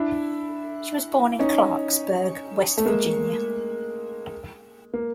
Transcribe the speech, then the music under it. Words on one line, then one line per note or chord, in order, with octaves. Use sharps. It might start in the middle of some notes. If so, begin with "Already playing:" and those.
She was born in Clarksburg, West Virginia.
Already playing: D4 E4
C#4 D#4
A3
G#3 A#3
A#3